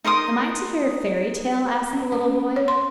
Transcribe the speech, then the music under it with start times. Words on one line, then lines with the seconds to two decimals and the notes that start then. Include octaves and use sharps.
"Am I to hear a fairy tale?" asked the little boy.
0.04 D#4 A#4 C6 D#6
1.93 C#4
2.12 C#4
2.56 C#5
2.68 C6